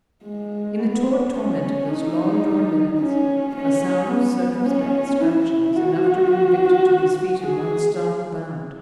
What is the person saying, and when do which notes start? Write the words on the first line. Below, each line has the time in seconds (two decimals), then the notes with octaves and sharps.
In the taut torment of those long-drawn minutes a sound of circumspect scratching was enough to bring Victor to his feet in one startled bound.
0.23 G#3
0.79 B3
1.33 C#4
1.89 D#4
3.00 C#4
3.55 C#4
4.10 B3
4.66 C#4
5.21 E4
5.76 F#4
7.42 G#4